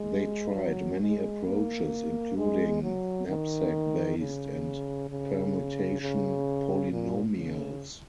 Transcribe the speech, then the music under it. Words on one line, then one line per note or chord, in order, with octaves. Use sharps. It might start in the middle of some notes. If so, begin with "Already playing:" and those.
They tried many approaches including "knapsack-based" and "permutation polynomials".
Already playing: G#3
F#3
G#3
A#3
G#3
F#3
D#3
C#3
C#3
C#3
A#2
C#3